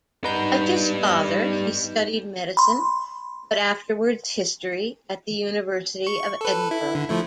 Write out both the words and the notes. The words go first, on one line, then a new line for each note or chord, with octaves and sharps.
Like his father he studied medicine, but afterwards history, at the University of Edinburgh.
G3 B3 D#4 B4 G6
B5 C6
C#6
A4 B4
E4
D3
F3 A3 E4